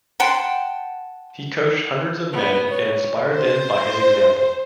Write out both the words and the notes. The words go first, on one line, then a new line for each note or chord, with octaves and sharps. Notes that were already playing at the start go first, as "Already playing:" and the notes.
He coached hundreds of men and inspired them by his example.
F#5 G5 A5 C6
B3
C#5
C5